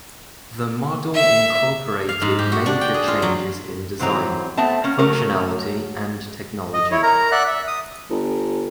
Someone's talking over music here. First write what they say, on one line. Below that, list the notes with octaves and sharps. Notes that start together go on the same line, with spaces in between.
The model incorporated major changes in design, functionality and technology.
E5
F5
G#2
G4
F#4
D4
G5
G#4
F4
F#3
G#2 E3 F#3 C4 A#5
A3 B3 C4 E5 A5
A#3 C#4
F#3 A3 C#4 A#4
D#5
E4 C#5
A#4 A#5
D5 E5 F#5 F#6
E5
D#6
G1